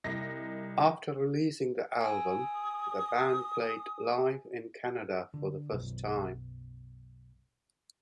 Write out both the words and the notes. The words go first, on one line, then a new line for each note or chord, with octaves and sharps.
After releasing the album, the band played live in Canada for the first time.
C2 D#4 D#5 A#6
G#5 D#6 E6
D3
B1 F#2 B2